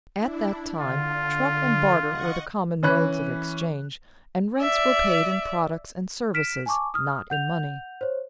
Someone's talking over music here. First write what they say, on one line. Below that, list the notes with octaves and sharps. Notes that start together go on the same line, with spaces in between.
At that time, truck and barter were the common modes of exchange, and rents were paid in products and services, not in money.
D4 E4
D3 F4
D#5 F#5 C#6
E3 C#4 B5 F#6
D5 E5
F6 B6 D7 E7
G#5 A5 C#6 D6
D#6 F6
F#5 G6 F7
C5 C#5